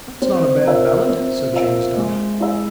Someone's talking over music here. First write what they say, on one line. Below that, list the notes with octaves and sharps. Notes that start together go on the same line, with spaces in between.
"That's not a bad ballad," said James Duff.
C4
F4 A#4 E5
C4
F4 A#4 E5
G#3
E4 G#4 E5